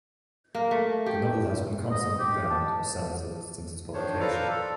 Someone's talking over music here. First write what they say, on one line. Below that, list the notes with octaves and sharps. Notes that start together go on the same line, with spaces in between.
The novel has been constantly banned or censored since its publication.
A#3
A3
G4
D#5
G4
A5
D#3 F3 D4 C5 C#5
A4 B4 C5 D5 F5 A#5
A4